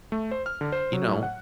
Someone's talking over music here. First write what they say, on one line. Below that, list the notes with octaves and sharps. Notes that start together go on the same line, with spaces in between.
you know,
A3
C5
F6
D3
C5
F#3
A2
F#5